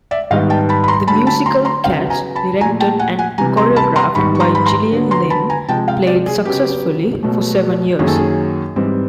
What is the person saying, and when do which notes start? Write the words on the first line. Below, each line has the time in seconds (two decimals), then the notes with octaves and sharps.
The musical "Cats" directed and choreographed by Gillian Lynne played successfully for seven years.
0.11 D5 E5
0.31 G#2 D#3 G3 B3 D#5 F5
0.50 G5 A5
0.69 A5 B5
0.84 B5
0.88 A#5 C6
1.07 D3 F#3 A3 A5 B5
1.27 A5 B5
1.46 A#5 C6
1.65 A#5 C6
1.84 C#3 F#3 B3 F5 G5
2.10 G#5 A#5
2.35 A5 B5
2.61 A#2 F3 A3 G#5 A#5
2.80 G5 A5
2.99 F#5 G#5
3.19 F#5 G#5
3.38 C3 E3 G3 G#5 A#5
3.57 A#5 C6
3.76 A5 B5
3.96 A#5 C6
4.15 G#2 D#3 G3 B3 B5 C#6
4.35 C#6
4.40 A#5 C6
4.55 B5
4.66 A#5 C6
4.92 D3 F#3 B3
5.11 A#5 C6
5.30 A5 B5
5.50 G#5 A#5
5.68 C3 F3 G#3 G5 A5
5.88 F5 G5
6.07 C5 D5
6.26 G#4
6.45 C#3 F#3 B3 G4
7.23 B2 F#3 A3
7.99 F#2 D#3 F#3 A#3 C#4 G#4
8.08 A4
8.16 G#4
8.76 G#2 E3 G3 C4